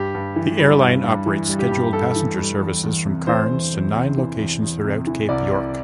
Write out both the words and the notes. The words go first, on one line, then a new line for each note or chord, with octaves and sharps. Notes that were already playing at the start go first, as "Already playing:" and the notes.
The airline operates scheduled passenger services from Cairns to nine locations throughout Cape York.
Already playing: G2 G4
G2
E3
G3
G2
G2
E3
G3
G4
G2
G2 A4
E3
G3
E2
E2
C3
E3 C5
E2
E2
C3
E3
E2
E2
C3
E3
C2 D5
C2